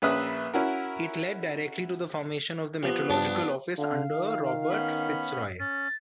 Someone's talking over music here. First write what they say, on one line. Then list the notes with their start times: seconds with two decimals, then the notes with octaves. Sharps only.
It led directly to the formation of the Meteorological Office under Robert Fitzroy.
0.02 A#1 C#4 B4 E5 D#6 F#6
0.54 C#4 E4 F#4 A#4
2.83 F3 B3 G4
3.10 G2 D4 A5
3.77 D3 F5
4.12 D#3
4.70 B3 C#4 B5
5.60 C#4 A6